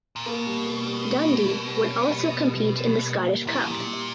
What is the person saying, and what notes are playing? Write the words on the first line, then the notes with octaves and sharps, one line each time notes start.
Dundee would also compete in the Scottish Cup.
A#2
B2 A#3
G3
A#3
G3
A#3
G3
A#3
G3
C#4
G3
C#4
G3
G3
G3
A#3
G3
A#2 E4
B2
A#2 G3
G3